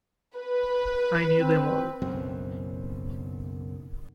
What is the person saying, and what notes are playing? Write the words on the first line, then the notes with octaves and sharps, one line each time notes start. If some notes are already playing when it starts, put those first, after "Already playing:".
I knew them all.
B4
C4
F#1 B1 F#2 C4